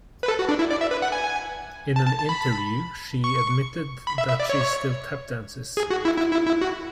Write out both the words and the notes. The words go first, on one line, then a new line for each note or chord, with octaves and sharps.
In an interview, she admitted that she still tap dances.
B4
A4
F#4
D4
E4
D5
E5
B4
F#5
G#5
A5
A5
A5
B5
C#6
B5
E5
E5
D5
C#5
G#4
F#4
E4
E4
E4
E4
F#4